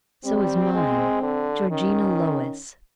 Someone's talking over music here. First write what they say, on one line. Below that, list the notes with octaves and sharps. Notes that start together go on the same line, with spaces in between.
'So is mine, Georgina Lois.
G3 C4
G#3
D3
D#3 C#4